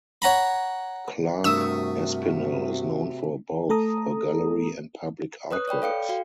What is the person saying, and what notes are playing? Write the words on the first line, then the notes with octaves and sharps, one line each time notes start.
Clark Espinal is known for both her gallery and public artworks.
C#5 F#5 A#5 B5
G2 C3 A3 F#4 A#4 C#6 D#6 E6
A3 A4 A#5 D#6
B4 C#5 D#6 F#6
C#5 D5 G5 B5
A4 F5 G5 C#7
F#4 F5